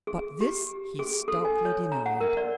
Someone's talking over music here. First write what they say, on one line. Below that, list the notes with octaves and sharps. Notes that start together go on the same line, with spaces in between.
But this he stoutly denied.
G#4
G4
G#4
A4
G#5
C#5
A#5
F#5
A#4
D5